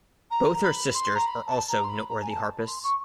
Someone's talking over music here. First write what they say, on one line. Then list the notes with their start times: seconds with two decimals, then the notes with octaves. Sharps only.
Both her sisters are also noteworthy harpists.
0.30 A#5
0.63 B5
0.94 C6
1.15 A#5
1.26 B5
1.46 A5
1.68 A#5
1.84 C6
1.89 B5
2.09 A#5
2.22 G#5
2.30 A5
2.58 B5
2.67 C6
2.83 C#6